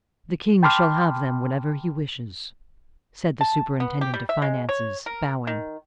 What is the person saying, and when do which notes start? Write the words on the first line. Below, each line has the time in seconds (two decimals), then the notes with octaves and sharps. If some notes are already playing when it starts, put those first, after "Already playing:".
"The king shall have them whenever he wishes," said the superintendent of finances, bowing.
0.63 G5 A5 B5 C6 D6 F6
3.41 A5
3.80 B3
4.01 G4
4.14 G3
4.29 E5
4.42 G#3
4.69 C#5
5.06 A#4
5.47 D#3